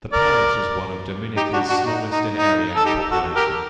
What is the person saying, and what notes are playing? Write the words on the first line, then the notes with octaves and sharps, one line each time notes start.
The parish is one of Dominica's smallest in area and population.
A#4 D5
D#4 G4
D4 F#4
D4 F#4
D#4
D#4
D#4
A4
D#4 G4
F#4 A4
G4 A#4